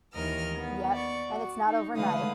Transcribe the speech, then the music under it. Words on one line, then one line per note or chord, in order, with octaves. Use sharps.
Yep, and it's not overnight.
D#2 E3 A#4 D#5 F6
B3
D5 C#6
F#4
D#4
D3 G#3 A3 B4 F5 D#6